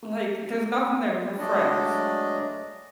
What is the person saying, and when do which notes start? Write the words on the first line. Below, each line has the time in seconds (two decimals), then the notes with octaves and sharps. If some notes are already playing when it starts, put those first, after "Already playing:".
like, "There's nothing there, we're friends."
1.39 F#3 G#3 A3 D4 D5 D#5